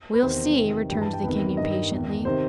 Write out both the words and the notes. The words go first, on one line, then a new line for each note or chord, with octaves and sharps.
"We'll see," returned the King, impatiently.
B4
E2 C3 D#3 C5
E2 C3 D#3
G2 E3 G5
A5
G5
E2 C3 D#3 B4
G2 D#3 D#5
E2 D#3
C3 D#3 C5